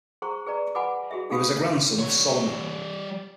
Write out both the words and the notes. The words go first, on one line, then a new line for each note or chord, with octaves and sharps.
He was a grandson of Solomon.
G#4 C5 A#5 C6 C#6
G#4 B4 D5 A#5
B4 F#5 G#5 B5 C6 D6
F#4 G#4 E5
D#4 G4 G#4 F5 B5 D#6
G3 C#5